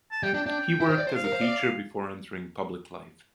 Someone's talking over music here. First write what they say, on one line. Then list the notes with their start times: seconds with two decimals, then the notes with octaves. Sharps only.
He worked as a teacher before entering public life.
0.11 A5
0.23 G3 G5
0.34 D4 G5
0.46 D4 G5
0.80 E4
0.89 C5
0.98 D5
1.07 C5
1.15 F5
1.24 A#4
1.33 C5
1.41 D5